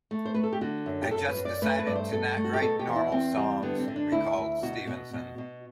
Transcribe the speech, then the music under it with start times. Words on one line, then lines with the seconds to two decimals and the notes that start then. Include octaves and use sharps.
"I just decided to not write normal songs", recalled Stevenson.
0.11 A3
0.25 C5
0.34 A3 B4
0.43 A4
0.53 G4
0.61 D3 F#4
0.86 F#2
1.03 G4
1.11 F#2 A4
1.28 B4
1.37 F#2
1.45 D5
1.62 A3 B4
1.79 B4
1.86 G2 D5
1.95 C5
2.12 G2 A4
2.37 A3
2.44 F#4
2.53 G4
2.62 B2 A4
2.79 G4
2.87 E2
2.96 E4
3.12 E2 C4
3.37 G3
3.62 D3 B3
3.79 C4
3.88 D3
3.96 D4
4.12 D2 E4
4.37 D2
4.63 B2 F#4
4.87 B2
5.13 B2
5.38 B2